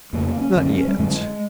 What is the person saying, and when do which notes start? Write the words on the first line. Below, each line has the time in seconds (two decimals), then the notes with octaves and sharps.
"Not yet."
0.13 F2 C#3 A#3
0.27 A#3
0.41 C#4
0.56 F#2 D3 C#4
0.66 C#4
0.77 C#4
0.87 G3
0.98 F#2 D3 G#3